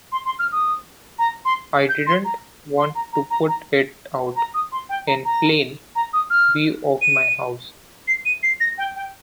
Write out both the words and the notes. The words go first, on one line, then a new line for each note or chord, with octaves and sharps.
I didn't want to put it out in plain view of my house.
C6
C6
F6
D#6
A#5
C6
G6
C6
A#5
C6
A#5
A#5
A#5
A#5
A#5
D#6
C6
G5
A#5
A#5
A#5
D#6
F6
D#7
C7
D#7
C7
A#6
G5
G5